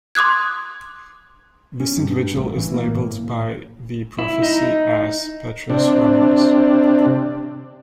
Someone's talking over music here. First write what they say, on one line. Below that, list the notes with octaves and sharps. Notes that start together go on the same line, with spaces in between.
This individual is labelled by the prophecy as Petrus Romanus.
C6 D6 D#6 F#6 G#6
C#4
G2
A1
E3
A#3
A2
E4
D#4
C3 D4